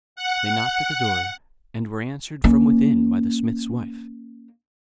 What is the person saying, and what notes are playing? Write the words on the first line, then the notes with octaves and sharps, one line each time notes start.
They knocked at the door, and were answered from within by the smith's wife.
F#5
A#3 C#4